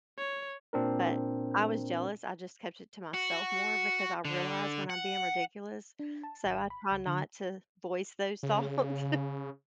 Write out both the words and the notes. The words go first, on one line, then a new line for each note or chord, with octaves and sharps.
but I was jealous, I just kept it to myself more because I realize when I'm being ridiculous, so, I try not to voice those thoughts.
C#5
A#2 C4 D4 A#4
F#4
D3
F#5
D4
A5
G#1
B5
C#2
D3
C#3